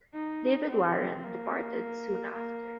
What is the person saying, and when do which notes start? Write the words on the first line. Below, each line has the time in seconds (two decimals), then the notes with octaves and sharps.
David Warren departed soon after.
0.14 D#4
0.68 C4
1.24 A#3
2.33 A#3